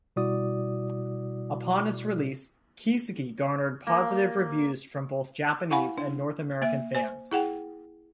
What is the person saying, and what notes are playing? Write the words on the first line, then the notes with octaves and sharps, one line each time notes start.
Upon its release, "Kiseki" garnered positive reviews from both Japanese and North American fans.
B2 G3 E4 F#4 D5 D#6
A#3
E4 F5 F#5 G#5 B5 C#6
D4
A#3 E5
C5 G#5
E4 G#4 F#5 G5